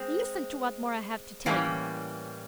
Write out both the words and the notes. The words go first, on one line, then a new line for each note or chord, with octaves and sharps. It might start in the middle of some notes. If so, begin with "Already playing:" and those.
Listen to what more I have to tell you.
Already playing: G#3 C4
A2 E3 G3 A#3 C#4